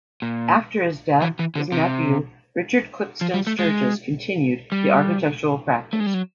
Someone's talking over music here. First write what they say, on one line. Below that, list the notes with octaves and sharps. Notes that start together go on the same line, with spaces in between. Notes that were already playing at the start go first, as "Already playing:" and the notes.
After his death, his nephew Richard Clipston Sturgis continued the architectural practice.
A#2
E3
E3
D3
C3
F3
G3
A3
G#3
G3
A3
G#3
G3
F#3